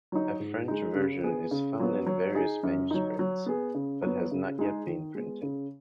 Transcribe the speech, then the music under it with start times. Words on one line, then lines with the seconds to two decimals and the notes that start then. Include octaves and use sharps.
A French version is found in various manuscripts, but has not yet been printed.
0.12 F#3 D#4
0.40 G#2
0.68 G#3 D#4
0.95 C#3
1.24 B3 G#4
1.51 C#3
1.80 F#3 B3
2.07 F#3
2.35 D#4 G#4
2.63 F#2
2.91 F#3 D#4
3.19 F#3
3.46 B3 G#4
3.75 C#3
4.02 F#3 B3
4.31 C#3
4.59 G#3 D#4 G#4
4.87 D#3
5.15 G#3 B3
5.43 C#3